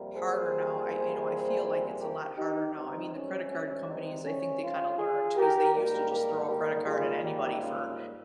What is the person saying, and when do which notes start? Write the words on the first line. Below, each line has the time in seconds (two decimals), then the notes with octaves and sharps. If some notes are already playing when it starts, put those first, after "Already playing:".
harder now, I you know, I feel like it's a lot harder now, I mean, the credit card companies, I think they kinda learned 'cause they used to just throw a credit card at anybody for
Already playing: F2 C3 G3 A#3
0.14 G#4 C5
2.01 G4 A#4
2.38 D#4 G4
2.75 C#2 C3 G3 C4 D#4
3.12 C#4
3.50 C#4
3.88 C4 D#4
4.24 C#4
4.62 C#4 F4
4.99 F4 G#4
5.36 G4 A#4
5.74 G#2 G3 A#3 G4 A#4
6.11 G4 A#4
6.48 G4 A#4
6.86 F4 G#4
7.23 D#4 G4
7.60 C#4 F4